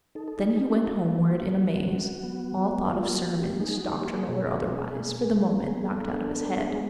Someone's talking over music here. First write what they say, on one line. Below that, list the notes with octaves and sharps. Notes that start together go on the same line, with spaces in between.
Then he went homeward in a maze, all thought of sermons, doctrinal or otherwise, for the moment knocked out of his head.
D#4 A4
A4
G#4
A#3
G4
G4
A#3 F#4
F#3
F#4
F#3
F#3
B3
F#3
A#3 F4
F#4
A#3
G4
D#4 G#4
F#4
A#3 G4
G#4
B2 G#4
B2
A#3
A#3
B3 G#4
A4
D4
A4
B3 A4
A4
G#4
G#3